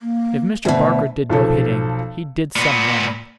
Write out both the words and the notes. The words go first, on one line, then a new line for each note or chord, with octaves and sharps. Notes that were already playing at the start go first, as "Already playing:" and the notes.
If Mr. Barker did no hitting, he did some running.
A#3
D2 B2 E5
B1 F3 A4
A#2 B3